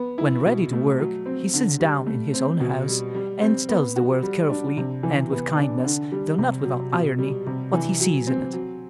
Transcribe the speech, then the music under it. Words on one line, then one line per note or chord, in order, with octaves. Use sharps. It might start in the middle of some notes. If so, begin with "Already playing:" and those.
When ready to work he sits down in his own house, and tells the world carefully and with kindness, though not without irony, what he sees in it.
Already playing: B3
E4
B2
A3
F#3
C4
D3
G3
A3
C4
B2
G3
G3
C4
B3
F#4
G3
D4
C3
E3
B3
D4
D3
G3
C3
F#3
B2
G3
C3
E3
F#3
C4
F#3